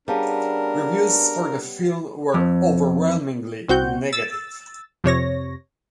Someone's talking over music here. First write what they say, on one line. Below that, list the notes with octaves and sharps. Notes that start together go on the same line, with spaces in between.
Reviews for the film were overwhelmingly negative.
G3 B3 C#4 D4 G#4 A#4 F5 A5
F2
C2 C4 F#4 G6
E6 A6
F2 C3 C#5 A#6